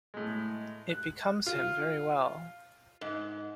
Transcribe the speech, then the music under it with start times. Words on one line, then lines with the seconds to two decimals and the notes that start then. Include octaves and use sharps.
It becomes him very well.
0.14 A2 G#3
0.90 F#6
1.46 F4
3.01 G#2